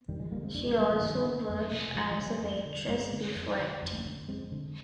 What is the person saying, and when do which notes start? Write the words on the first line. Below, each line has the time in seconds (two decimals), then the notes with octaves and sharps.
She also worked as a waitress before acting.
0.08 F2 D#3 G3
0.20 F3 G#3
0.31 D3 G3 A#3
0.43 G#3 C4
0.55 F2 A#3 D4
0.67 G#3 C4
0.78 C3 G3 A#3
0.90 F3 G#3
1.01 G2 D#3 G3
1.25 D3
1.49 F2
1.71 C3
1.95 G2 F3 G#3
2.11 F3 G#3
2.19 D3
2.26 G3 A#3
2.42 F2
2.65 D3
2.88 G2 G#3 C4
3.12 D3
3.36 F2
3.59 D3
3.82 F2
4.06 D3
4.28 F2 G#3 C4
4.52 D3